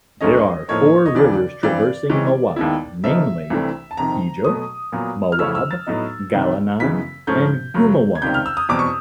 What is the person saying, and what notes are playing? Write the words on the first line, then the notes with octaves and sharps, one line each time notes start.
There are four rivers traversing Mawab, namely: Hijo, Mawab, Galinan, and Gumawan.
D2 D3 F#3 A3 C#4 D#5
A2 F3 A#3 D#4 C#5
D#5
D#2 C#3 E3 D5
G2 E3 G3 C4 D5
C3 E3 G#3 C#4
D#2 D#3 G#3 B3 E4
C#3 F3 A#3 D#4 E5
C2 C3 E3 A3 D4
A5
F2 C3 D#3 A#5
B2 F#3 A3 D#6
A#2 F#3 B3
F6
C#3 F3 A3 C#4 E4 E6
E6
A6
A2 F#3 B3 D#4
C2 C3 D#3 G3
F#2 C#3 E3 G#3 B3 B6
G#2 F3 A3 C#4 G6
F#2 C#3 F#3
G#6
C#2 C3 D#3 G3 G6
F6
E6
D#6
E2 B2 G3 C4 D6
C#6